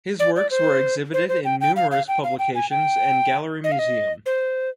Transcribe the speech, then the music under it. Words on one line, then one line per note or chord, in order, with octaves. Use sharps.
His works were exhibited in numerous publications and gallery museum.
D5
D5
C5
C5
C5
G5
G5
F5
F5
G5
F5
G5
G#5
G5
D#5
F5
D#5
C5